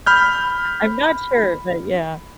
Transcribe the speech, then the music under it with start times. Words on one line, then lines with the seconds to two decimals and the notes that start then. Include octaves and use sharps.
I'm not sure, but yeah.
0.06 B5 F6 G6